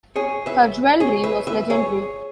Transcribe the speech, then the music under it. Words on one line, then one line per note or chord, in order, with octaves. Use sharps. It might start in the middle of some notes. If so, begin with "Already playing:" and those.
Her jewelry was legendary.
G#4 C#5
B4 E5
G#4 C#5
B4 E5
B4 E5
G#4 C#5